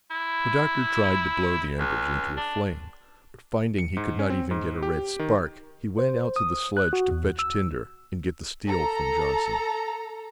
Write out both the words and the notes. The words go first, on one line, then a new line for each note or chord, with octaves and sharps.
The Doctor tried to blow the embers into a flame, but finding he could not even get a red spark, he went out to the sledge to fetch tinder, and get the steel from Johnson.
E4
C#2
D4
C#7
G#2
C#4
C4
G#2
G4
D#3
C5
D#6
F#6
F#4
E2
E6
A4 A#5